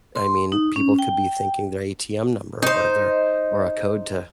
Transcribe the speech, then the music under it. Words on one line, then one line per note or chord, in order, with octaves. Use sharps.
I mean, people could be thinking their ATM number or their or a code to
C6
D#4
C#4
G5
D#4 C5